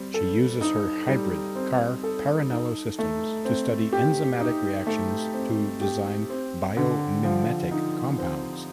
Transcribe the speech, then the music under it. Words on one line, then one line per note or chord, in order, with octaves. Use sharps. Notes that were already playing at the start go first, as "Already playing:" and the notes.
She uses her hybrid Car–Parrinello systems to study enzymatic reactions to design biomimetic compounds.
Already playing: G3 C4
A4
D#4
G3
C4
A4
D#4
A3
C4
G4
D#4
A3
C4
G4
C4
D3
F3
D#4
C4